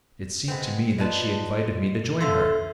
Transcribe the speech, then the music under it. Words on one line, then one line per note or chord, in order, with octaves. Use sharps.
It seemed to me that she invited me to join her.
G#3 B3 C4
F4 B4 D5 D#5 A5
D3 F3 A4 E5 C6